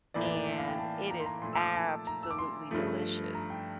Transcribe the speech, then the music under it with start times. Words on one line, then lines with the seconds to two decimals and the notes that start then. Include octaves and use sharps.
and it is absolutely delicious.
0.14 A2 E3 A#3 D5
0.25 D5
0.35 D5
0.46 E5
0.58 F5
0.68 G5
0.78 A5
1.11 A#5
1.20 C6
1.26 A#5
1.42 A#2 F3 A3 C6
1.53 E6
1.64 D6
1.74 A5
2.07 A#5
2.23 E6
2.31 D6
2.39 C6
2.71 G2 F3 A3
3.35 A#5
3.50 G5